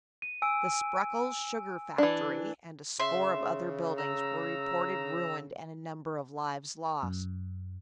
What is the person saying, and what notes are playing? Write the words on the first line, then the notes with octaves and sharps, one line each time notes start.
The Spreckels' sugar factory and a score of other buildings were reported ruined and a number of lives lost.
D#7
G#5 E6 D7
E3 D4
C#3 E5 C6
A#5 E6
F#2